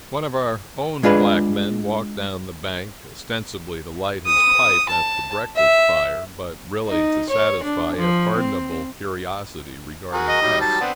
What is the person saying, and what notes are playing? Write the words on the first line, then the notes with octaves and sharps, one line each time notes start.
One of our own black men walked down the bank, ostensibly to light his pipe at the breakfast fire, but really to satisfy a pardonable curiosity regarding us.
G#3 D4 F4 G#4 B4
D#6
A5
E5
D#4
C#5
D4
F3
C4
F#4 G#4 A#4
D#5
D#3 F#3 G3
A5
B3 C4 D4